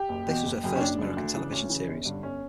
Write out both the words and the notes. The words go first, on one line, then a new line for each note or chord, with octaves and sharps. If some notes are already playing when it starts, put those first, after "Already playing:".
This was her first American television series.
Already playing: G4
F#1
E2 B2
F#1
F#2 C#3
C#4
F#1 D4
F#2 C#3
D2
C#3 E3
D2 C#4
C#3 E3
G1
G2 D3
G1 C#4